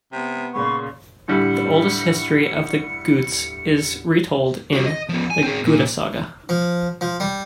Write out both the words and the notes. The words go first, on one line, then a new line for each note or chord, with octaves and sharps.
The oldest history of the Gutes is retold in the "Gutasaga".
C3 B3
A#2 C#3 B3 C#6
A2 D3 G3 C#7
G3 F#4
D#5
F3 B3
G#5
C4 G#4
A#2
F3
F3
G3